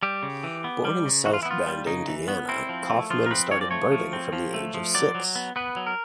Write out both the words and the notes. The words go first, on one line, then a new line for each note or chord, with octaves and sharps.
Born in South Bend, Indiana, Kaufman started birding from the age of six.
G3 G4
C#3
E3
B3
G3
C#3
E3 F#4
F4
E4
B3
F4
G3
C#3 D#4
E3
B3
C4 E4
F3
A3
F3 F4
A#4
C4 B4
F3 C#5
D5
A3 C#5
F3
C4
F3
A3
F3
F#3 D5
F#3
B3
B3 B4
F#3
A#4